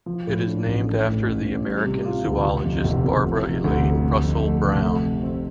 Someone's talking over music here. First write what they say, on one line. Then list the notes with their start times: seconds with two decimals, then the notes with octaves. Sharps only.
It is named after the American zoologist Barbara Elaine Russell Brown.
0.06 F3
0.27 A2
0.47 D4
0.66 A1
0.86 A3
1.05 A2
1.26 A1
1.45 A1
1.65 G3
1.85 C3
2.05 F4
2.25 D2
2.45 C3
2.64 F2
2.84 F1
3.05 F1
3.25 F3
3.44 C3
3.64 D2
3.84 D2
4.04 C3
4.24 F2
4.44 A3
4.64 F1
4.83 A3
5.02 C3
5.23 C4